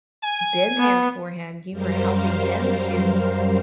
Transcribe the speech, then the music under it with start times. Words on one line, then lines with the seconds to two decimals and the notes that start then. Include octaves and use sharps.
been there for him, you were helping him to,
0.23 G#5
0.78 B3
1.71 F#2 G3 A#4 C5 F5